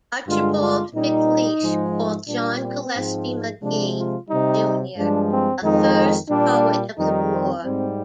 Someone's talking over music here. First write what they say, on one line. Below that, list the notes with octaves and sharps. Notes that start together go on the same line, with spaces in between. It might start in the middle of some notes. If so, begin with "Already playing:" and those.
Archibald Macleish called John Gillespie Magee, Junior "the first poet of the war".
G2 D3 G#3 F4
F4
A#2 G3 D#4
G#2 F3 G#3
A#2 G3 D4
C4
G#2 F3 G#3
C3 F3 G#3 D4
F4
C3 G3 D#4
G2 F3 G#3 D4
C4
F2 D#3 G#3 D#4
A#2 G3 D4
F2 D#3 G3 D#4
C4
G#2 G3 C4